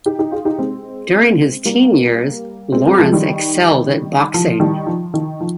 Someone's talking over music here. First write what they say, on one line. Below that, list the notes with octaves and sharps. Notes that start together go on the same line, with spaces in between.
During his teen years, Lawrence excelled at boxing.
D#4 G4
D#4 G4
F4 G#4
D#4 G4
G#3 C4
G3 A#3
G#3 C4
G#3 C4
F3 G#3
D#3 G3
F3
D#3 G3
F3
D#3
F3